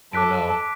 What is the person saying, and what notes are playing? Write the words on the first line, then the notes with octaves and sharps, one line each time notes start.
you know
A4 D6 F#6 B6 D7